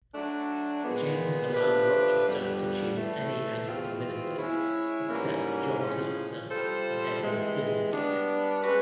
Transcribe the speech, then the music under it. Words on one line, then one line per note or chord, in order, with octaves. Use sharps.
James allowed Rochester to choose any Anglican ministers except John Tillotson and Edward Stillingfleet.
F#3 A3 D4
A#2 F3 G#3 B3
F3 A3 D4 G4 B4
F2 D3 G3 B3
A2 E3 A3
E2 B2 G#3 C4 F4
G#3 C#4 E4
G#2 E3 G3 A#3 C#4
A2 F3 G#3 C#4 F4
G3 C4 F4 A4 C5
C3 E3 G#3
G3 B3 D4
G#3 C#4 F#4 B4